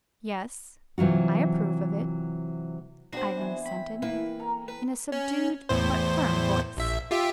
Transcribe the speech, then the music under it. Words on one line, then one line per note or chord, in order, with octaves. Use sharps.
"Yes, I approve of it," Ivan assented, in a subdued but firm voice.
C3 E3 F#3 F4 F#4
B3 C4 D4 F#4 B4 C5
E3 B3 G#5
C4 B5
A#3 E4 B4
A4 A#4 A#5
B4
C#4
E2 A2 C5
A#1 E5
F4 G4 E5